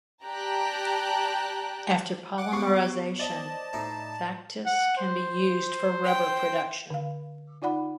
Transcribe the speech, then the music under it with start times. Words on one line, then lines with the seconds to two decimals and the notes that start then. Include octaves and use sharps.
After polymerization, factice can be used for rubber production.
0.24 G4 D5 G5 A5 A#5 F#6
2.38 F#5 D6
2.52 C#3 B3 G4 C#6 C7
3.19 C5 D5 D#5 A5
3.73 A2 D#4 E4
4.66 F#5
4.97 C5
6.03 G5
6.90 D3 F5
7.62 D#4 F4 D5 F#5 B5